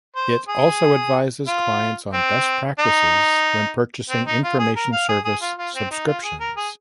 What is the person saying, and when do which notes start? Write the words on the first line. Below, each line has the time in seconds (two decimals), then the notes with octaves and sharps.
It also advises clients on best practices when purchasing information service subscriptions.
0.15 C5
0.48 G#4
1.47 F4
2.13 C4
2.79 D#4
4.10 C4
4.26 D#4
4.43 F4
4.59 G#4
4.76 A#4
4.92 F5
5.08 G#4
5.25 G#4
5.41 F4
5.58 F4
5.74 C4
5.91 D#4
6.07 F4
6.23 G#4
6.40 A#4
6.56 G#4